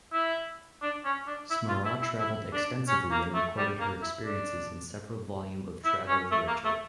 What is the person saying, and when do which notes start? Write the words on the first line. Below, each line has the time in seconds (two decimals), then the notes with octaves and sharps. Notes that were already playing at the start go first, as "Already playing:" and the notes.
Smara traveled extensively and recorded her experiences in several volume of travel literature.
0.13 E4
0.82 D4
1.05 C#4
1.27 D4
1.51 E4
1.68 F4
1.85 E4
2.02 E4
2.19 E4
2.53 D4
2.88 C#4
3.11 A#3
3.34 A3
3.57 G3
3.80 A#3
4.02 E4
4.25 D4
5.85 E4
6.08 C#4
6.31 A3
6.48 A#3
6.65 A3